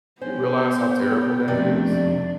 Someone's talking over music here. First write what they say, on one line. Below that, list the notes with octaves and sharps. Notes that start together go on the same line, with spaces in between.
You realize how terrible that is?
B3 C#4 C5 G5
F2 C3 D#3 A3 D4 D5